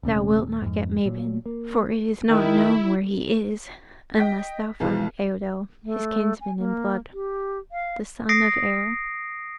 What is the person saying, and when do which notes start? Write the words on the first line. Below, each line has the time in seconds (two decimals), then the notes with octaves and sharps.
Thou wilt not get Mabon, for it is not known where he is, unless thou find Eidoel, his kinsman in blood, the son of Aer.
0.03 D#1 C3 A3 C#4
0.43 D#1
0.62 F2 G#2
1.06 A#2 F#3
1.46 A#3
2.30 D#3 E4
4.18 D#5 G5 A#6 B6
4.80 B1 E3 F3 G#3
5.84 A3
6.41 G#5
6.59 A#3
7.14 G4
7.72 F5
8.29 D#6 A#6 C7 D7